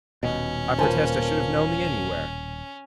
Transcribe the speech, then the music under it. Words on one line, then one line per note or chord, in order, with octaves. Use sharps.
I protest I should have known thee anywhere.
D#1 B2 C#4 D#5
A#2 A#3 B4 C5 G#5 A5